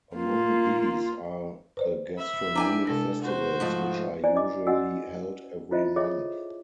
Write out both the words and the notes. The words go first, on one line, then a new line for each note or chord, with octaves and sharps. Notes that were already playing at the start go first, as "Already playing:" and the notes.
Among these are the gastronomic festivals, which are usually held every month.
A#3 F4
B4 C5 D5
E5 B5
D4 E4 G5 G#5 A#5 D6
C3 G#3 A4 A#6
F#4 C5
G#2 F3 A3
E4 C5 D5 G#5
D#5 G#5 D6
C#4 F#4 D#5 F#5 G#5 E6
E4 F4 C5 D#5 E5
G#4 A4 C#5 D#5 E5 D6